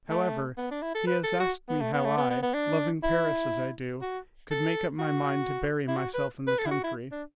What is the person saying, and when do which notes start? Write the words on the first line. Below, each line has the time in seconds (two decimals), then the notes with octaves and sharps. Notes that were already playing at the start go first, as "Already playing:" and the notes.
However, he has asked me how I, loving Paris as I do, could make up my mind to bury myself in the country.
0.09 A3
0.58 B3
0.71 D4
0.82 E4
0.95 A4
1.07 B4
1.24 A4
1.40 F#4
1.69 B3
1.81 A3
1.93 B3
2.05 A3
2.17 B3
2.30 B3
2.43 B3
2.54 D4
3.03 E4
4.02 F#4
4.51 A4
4.99 F#4
5.88 E4
5.97 F#4
6.14 B4
6.47 B4
6.59 A4
6.66 E4
6.71 F#4
6.84 E4
7.12 D4